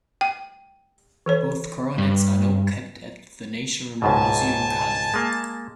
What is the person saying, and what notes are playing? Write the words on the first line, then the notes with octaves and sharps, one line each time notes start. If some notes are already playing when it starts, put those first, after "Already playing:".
Both coronets are now kept at the National Museum Cardiff.
G5
E3 A4 C#5
G2
C#2 G#2 B2 G#5 A5
G#3 A#3